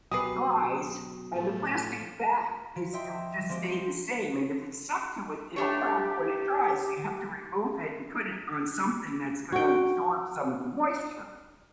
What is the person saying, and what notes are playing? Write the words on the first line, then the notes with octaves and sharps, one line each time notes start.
dries and the plastic bat is still just stay the same, and if it's stuck to it, it'll crack when it dries, so, you have to remove it and put it on something that's gonna absorb some of the moisture.
B2 F#3 G4 G#4 B4 D#6 C7
A2 F3 A3
F3
D#5 E5 G5 C6
F3 G#3 C4 G4
A3 D4 G4 C#5
F#4 G5